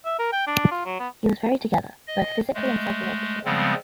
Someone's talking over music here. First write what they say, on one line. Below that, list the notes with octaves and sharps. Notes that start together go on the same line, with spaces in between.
He was very together both physically and psychologically.
E5
A#4
G5
D4
F4
F#3
B3
D#5
G#3 A3
C#3 F3 G3 G#3 B3 C4